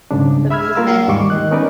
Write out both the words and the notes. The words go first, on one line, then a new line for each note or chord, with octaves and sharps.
the movement.
C2 G#2 C#3 D4
E5 B5 E6 F6 G#6
A#3 F4 A#4 F5 E6
D#2 G#2 G3 G#3 C#6 D6
D#3 D#5 F#6
B3 C#4 D#4 A#4 B4 D5